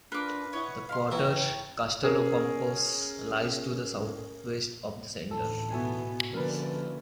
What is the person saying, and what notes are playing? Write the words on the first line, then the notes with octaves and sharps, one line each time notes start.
The quarter Kastellokampos lies to the southwest of the centre.
D4 F4 A#4 B4 D6
E4 C#5 D#5 F#5
D#5 F5 B5 C6
E3 C#5 G5 A#5
C#4 G#4 A#4
D2 A2 E3 A4
B2 B3 E4 F#4 G#5
D3 F3 A#3 C#4 A#4 B4 D5